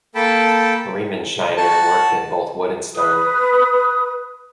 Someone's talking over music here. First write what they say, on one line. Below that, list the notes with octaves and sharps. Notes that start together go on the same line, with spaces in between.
Riemenschneider worked in both wood and stone.
A#3 A4 G5 A5 B5
F#4 A5
B4 D#6